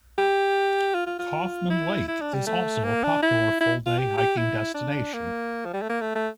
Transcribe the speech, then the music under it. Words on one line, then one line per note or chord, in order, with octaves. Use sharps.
Kaufman Lake is also a popular full day hiking destination.
G4
F4
F4
F4
E4
E4
D4
G3
A3
A#3
D4
E4
E4
F4
G4
G4
E4
D4
A#3
F3
G3
A3
A#3
A3
A3